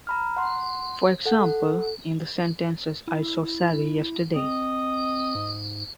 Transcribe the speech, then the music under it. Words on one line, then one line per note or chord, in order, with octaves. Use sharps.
For example, in the sentences I saw Sally yesterday.
A#5 B5 F6
F#5 C6
A4 F#5
E4
C4 D#5
G#2